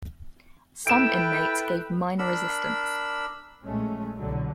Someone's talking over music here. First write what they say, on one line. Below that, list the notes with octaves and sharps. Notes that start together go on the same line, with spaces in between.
Some inmates gave minor resistance.
E4 A4 B4 G5 D7 E7
D4 A#4 B5 E6
A#1 G#3 A3 C#4
C2 B2 D3 F#3 G3